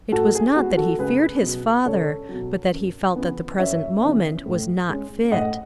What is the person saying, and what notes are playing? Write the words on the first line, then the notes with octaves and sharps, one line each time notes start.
It was not that he feared his father, but that he felt that the present moment was not fit.
A2 F#4 A4
G#4
G#3 B3 F#4
F#4 A4
C#2 G#4 B4
B2 F#3
C#2 A4 C#5
F#3
B2
F#2
C#3 E3 B3
F#2 C#5 E5
C#3 E3 B3
A2
G#3 C#4
A2 D#5 F#5